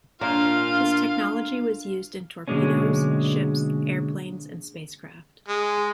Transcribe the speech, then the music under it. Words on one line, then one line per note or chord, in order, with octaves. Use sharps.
His technology was used in torpedoes, ships, airplanes, and spacecraft.
A#2 D4 F4 F5
B2 D3 F#3 G#3 A#3 C#4
G#3